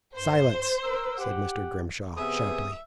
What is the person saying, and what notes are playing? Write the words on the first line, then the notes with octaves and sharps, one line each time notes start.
"Silence!" said Mr. Grimshaw, sharply.
G2 C5
A#4 E6
G4 F#5
C3 B3 G#4 E5 D#6